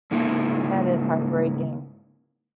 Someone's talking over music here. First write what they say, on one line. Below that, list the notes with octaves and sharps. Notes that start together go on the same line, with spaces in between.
That is heartbreaking.
G#2 C#3 A#3 D#4 E4